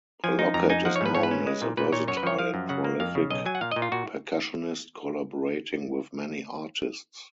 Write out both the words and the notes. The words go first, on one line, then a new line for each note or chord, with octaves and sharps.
Lockett is known as a versatile and prolific percussionist, collaborating with many artists.
F3 G#5
D#4
F2 A#5
D#4 G#5
F3 F#5
C#5
G#2 B4
G#2 C#5
B4
C#4
G#3
A#2
A#2 B4
A#2 C#5
F#2 C#5
B4
F3 C#5
F3 F5
F#2
C#3 F#5
A#3
F2 F5
C#3
B1 D#5
F#3 G#5
F#5
A#2 F5
D#5
A#2
F4
A#2 F#4